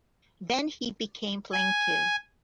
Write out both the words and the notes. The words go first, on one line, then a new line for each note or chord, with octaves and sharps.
Then he became plaintive.
G#5